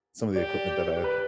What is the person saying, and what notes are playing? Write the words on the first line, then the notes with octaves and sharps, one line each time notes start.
some of the equipment that I've
G4 D5
B4